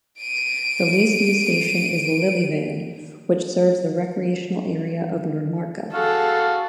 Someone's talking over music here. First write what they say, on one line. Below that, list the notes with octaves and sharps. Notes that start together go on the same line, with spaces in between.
The least-used station is Lillevann, which serves the recreational area of Nordmarka.
D7 D#7
F#4 G#4 A4 F5